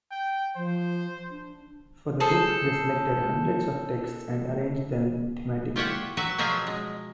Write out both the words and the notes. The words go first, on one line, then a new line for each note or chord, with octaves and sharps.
For the book they selected hundreds of texts and arranged them thematically.
G5
F3 C5
D4
G#4 A4 C5
F4 G4 C#5 E5 F#5
F#3 F#4 B4 E5
B2 F3 F#3 G#4 E5 F5
G#3